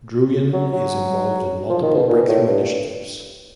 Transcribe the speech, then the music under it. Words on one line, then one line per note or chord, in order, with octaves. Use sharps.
Druyan is involved in multiple Breakthrough Initiatives.
F#3
F#3
F3
D#3
B2
A#2
A2
G2